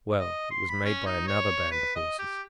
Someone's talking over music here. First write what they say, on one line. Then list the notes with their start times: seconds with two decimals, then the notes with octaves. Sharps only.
"Well, it was made by another band of horses."
0.20 D#5
0.51 C6
0.69 B5
0.85 C#4
1.06 D#4
1.27 C#5
1.72 B4
1.96 D#5
2.19 G4